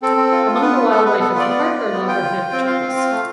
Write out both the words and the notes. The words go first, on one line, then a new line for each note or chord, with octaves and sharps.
Among the wildlife of the park are Loggerhead turtles.
C4 A4
C4
F4
F4
A4
B3 B4
F4
B3 A4
B3 B4
B3 A4
B4
F4 D5
B3
F4
F4
B3
F4 G5
F4
F4
C4
F4 F5
C4
F4
A3